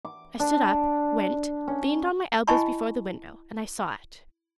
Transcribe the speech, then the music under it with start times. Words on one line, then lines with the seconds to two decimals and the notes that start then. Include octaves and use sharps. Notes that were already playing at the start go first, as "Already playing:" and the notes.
I stood up, went, leaned on my elbows before the window, and I saw it.
0.05 D6
0.40 D4
1.68 C#4
2.47 E4 D#5 G#5 A5 B5 C#6